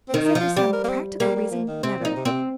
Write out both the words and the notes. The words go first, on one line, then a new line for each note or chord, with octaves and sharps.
"Except for some practical reason--never."
C4
D#3
D#4
F3 F4
G3 G4
A#4
A#3
C4
G3 A#3
G3
F3
D#3
C3 C4
A#2 D#4
C3
A#2 C4
C3